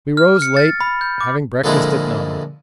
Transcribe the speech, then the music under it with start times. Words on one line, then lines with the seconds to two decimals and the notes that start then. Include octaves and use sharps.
We rose late, having breakfast at nine.
0.17 F6
0.42 C#7
0.57 A6
0.81 B5
1.01 G6
1.21 D6
1.64 F2 A#2 D3 G#3 D4 E4